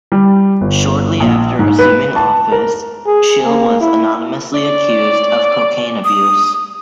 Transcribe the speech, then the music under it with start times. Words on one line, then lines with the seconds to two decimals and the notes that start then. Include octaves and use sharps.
Shortly after assuming office, Schill was anonymously accused of cocaine abuse.
0.12 G3
0.61 G1
1.20 A#1
1.59 G#2
1.79 B4
2.16 A5
2.52 A#4
3.07 G#4
3.45 A#3
3.81 E4
4.53 C4 C#5 D5
6.05 D#6